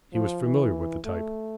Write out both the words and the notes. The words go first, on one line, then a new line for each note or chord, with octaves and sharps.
He was familiar with the type.
F3
E3
A3